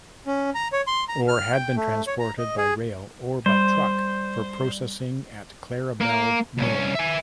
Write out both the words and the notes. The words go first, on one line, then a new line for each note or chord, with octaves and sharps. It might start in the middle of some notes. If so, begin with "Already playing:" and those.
Ore had been transported by rail or by truck for processing at Clarabelle Mill.
C#4
A#5
C#5
C6
A#5
F6
G5
A3
C#5
A#5
D#5
G#4
G3 C5
A#3 A#4
C2 C#4
E5 G#5